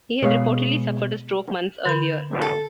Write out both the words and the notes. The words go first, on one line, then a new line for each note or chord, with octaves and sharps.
He had reportedly suffered a stroke months earlier.
B2 G#3 C#5 F5
D3 A#4 B5
A4